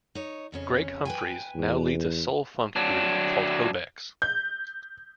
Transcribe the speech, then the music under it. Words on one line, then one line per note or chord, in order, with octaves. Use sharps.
Greg Humphreys now leads a soul-funk group called Hobex.
D#4 C#5
F2 C#3 C#4
B4 G5 G#5
E2
F#3 D4
G6